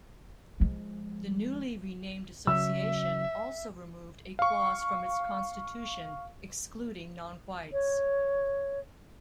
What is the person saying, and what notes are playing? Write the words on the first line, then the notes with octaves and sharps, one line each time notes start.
The newly renamed association also removed a clause from its constitution excluding non-whites.
F3 G#3
C#3 F#3 E5 E6
F5 C#6
C#5